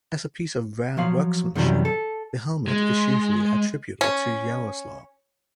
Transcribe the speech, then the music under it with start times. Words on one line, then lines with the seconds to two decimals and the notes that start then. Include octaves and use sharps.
As a piece of rare workmanship, the helmet is usually attributed to Yaroslav.
0.97 F3 F#3 F5
1.55 F#2 C3 D#3 E3 F#3 G3
1.85 A4
2.68 G#3
4.01 C#4